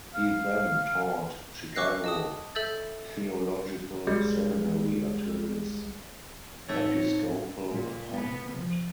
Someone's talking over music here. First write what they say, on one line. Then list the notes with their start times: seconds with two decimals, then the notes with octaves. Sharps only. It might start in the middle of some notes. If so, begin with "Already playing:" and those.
He then taught Chicago Theological Seminary until his episcopal appointment.
0.15 F5
1.75 C#6 D6 E6 F#6 A#6 C7
2.04 D#5 A5 D#6
2.55 A4 E5 E6 G6 A6
4.07 B1 G3 G#3
6.69 A2 A3 C4 D#4 C#5 E5
7.71 A#2
8.14 B3
8.52 F3